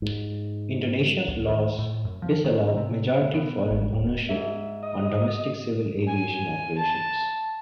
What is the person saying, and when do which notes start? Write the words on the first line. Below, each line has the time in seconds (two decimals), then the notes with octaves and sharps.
Indonesia's laws disallow majority foreign ownership on domestic civil aviation operations.
0.02 G#2
1.28 C#2
1.49 D#3
1.79 A2
2.05 F#2
2.22 F3
2.44 D#3
2.77 C3
3.34 B2
3.70 G#1
3.93 D1
4.29 G#2 E5
4.83 D#5
6.08 G#5
6.78 A5